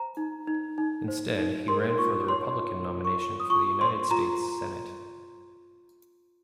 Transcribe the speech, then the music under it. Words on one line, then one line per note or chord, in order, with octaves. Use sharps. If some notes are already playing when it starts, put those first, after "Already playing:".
Instead, he ran for the Republican nomination for the United States Senate.
Already playing: C5 A#5
D#4
D#4
D#4
C5
D#4
A#4 C6
F4 C#6
C#5 C6
F4
F4
C#6
F4
D#6
F4 C#6
C5 C6
F4 A#5